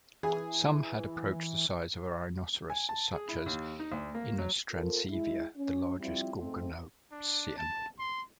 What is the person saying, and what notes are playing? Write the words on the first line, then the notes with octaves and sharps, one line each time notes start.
Some had approached the size of a rhinoceros, such as "Inostrancevia", the largest gorgonopsian.
E3 G#4
G#5
A5
G#4
E4
D#2
D#4
D2
A#3
F#3
C4 F4 A4 A#4
G#3 E4
C#4
F3 G3 C4 E4 F4
F2 G#2 A3 C4
D4
A5
C6